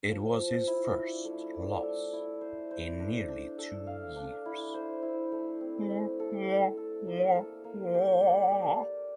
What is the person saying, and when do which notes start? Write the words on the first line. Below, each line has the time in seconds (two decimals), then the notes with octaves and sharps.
It was his first loss in nearly two years.
0.09 F3
0.38 F3
0.67 E4
0.96 D4
1.25 A3
1.54 D5
1.83 A4
2.13 E4
2.41 C5
2.71 C5
3.00 D4
3.28 D4
3.58 A4
3.87 F5
4.16 D4
4.45 E4
4.74 C5
5.02 E4
5.32 A3
5.61 C4
5.90 A3
6.20 A4
6.48 A4
6.77 A4
7.07 A#3
7.35 A4
7.64 A#3
7.94 G4
8.22 D5
8.52 G4
8.81 A#3